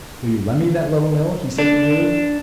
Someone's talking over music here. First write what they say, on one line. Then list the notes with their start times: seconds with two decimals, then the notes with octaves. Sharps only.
"Will you lend me that Little Mill?" he said eagerly.
1.58 D4